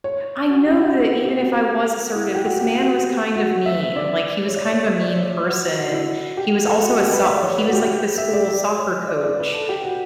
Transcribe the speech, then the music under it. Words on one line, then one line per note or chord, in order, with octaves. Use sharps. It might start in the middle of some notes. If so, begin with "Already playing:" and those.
I know that even if I was assertive, this man was kind of mean, like, he was kind of a mean person. He was also a soc he was, like, the school soccer coach,
C#5
F#4
G4
F#4
E4
F#4
G4
F#4
E4
G4
F#4
G4
F#4
F#4
E5
D5
C#5
D5
C#5
E5
D5
C#5
F#4
F#4
E4
F#4
G4
A4
F#4
G4
B4
E5
D5
C#5
B4
F#4
G4
E5
D5
D5
C#5
C#5
D5
D5
B4
A4
G4
F#4